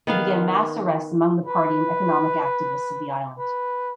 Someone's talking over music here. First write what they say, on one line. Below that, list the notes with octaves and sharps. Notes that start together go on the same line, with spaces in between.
He began mass arrests among the party and economic activists of the island.
D#3 B3 F5
B4
B4